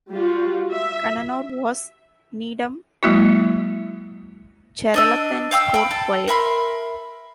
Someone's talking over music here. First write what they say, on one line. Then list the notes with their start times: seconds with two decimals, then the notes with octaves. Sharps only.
Kannanar was Nedum Cheralathan's court poet.
0.11 G3 F4 F#4
0.71 E5
3.03 F#3 G#3 A#3 E4 F#4
4.94 D4 D#5 E6
5.51 F5 G5 D6 E6
5.74 G5 B5
5.91 A4
6.28 A#4 E5 B5 C6